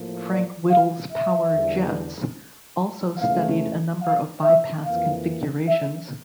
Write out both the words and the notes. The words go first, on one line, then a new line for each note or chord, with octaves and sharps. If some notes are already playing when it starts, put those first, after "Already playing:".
Frank Whittle's Power Jets also studied a number of bypass configurations.
Already playing: A2 F3 A#3
D5
F5
E5
E2 D3 G3
C#2 C#3 E3 A3 F5
F5
E5
F2 E3 A#3 F5
E5